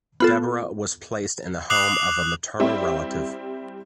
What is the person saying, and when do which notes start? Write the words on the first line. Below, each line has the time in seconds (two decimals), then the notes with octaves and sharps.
Deborah was placed in the home of a maternal relative.
0.20 B3 F4 A4
1.70 D6 D#6 F#6 C7 F7 F#7
2.60 G3 C4 E4